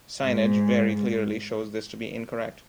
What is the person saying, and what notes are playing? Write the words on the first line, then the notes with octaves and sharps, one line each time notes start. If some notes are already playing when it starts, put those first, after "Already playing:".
Signage very clearly shows this to be incorrect.
G#2